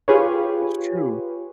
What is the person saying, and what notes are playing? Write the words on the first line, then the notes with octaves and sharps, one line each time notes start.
That's true.
F4 G4 G#4 B4 C#5